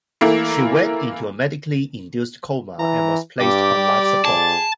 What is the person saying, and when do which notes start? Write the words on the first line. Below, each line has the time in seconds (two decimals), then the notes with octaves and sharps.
She went into a medically induced coma, and was placed on life support.
0.21 E3 A3 A#3 E4
2.79 E3 A#5
3.40 G2 G4 D5
3.75 G3
4.25 F2 G#4 A5